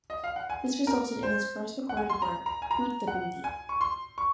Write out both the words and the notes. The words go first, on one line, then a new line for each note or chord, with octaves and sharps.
This resulted in his first recorded work, "Boot the Booty".
D#5
F5
F#5
G#5
A#4
C5
F#5
G#5
C6
A#5
A#5
G#5
A#5
F#5
G#5
C#6
C6
C#6